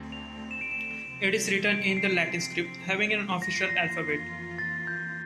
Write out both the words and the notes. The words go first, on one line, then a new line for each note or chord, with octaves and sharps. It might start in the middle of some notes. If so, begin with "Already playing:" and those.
It is written in the Latin script, having an official alphabet.
Already playing: D2 D3 A3 C4
F7
E7
D7
E7
C3 F3 C4
D7
C7
F2 E3 A#3 F4 A#6
C7
A#6
A6
G6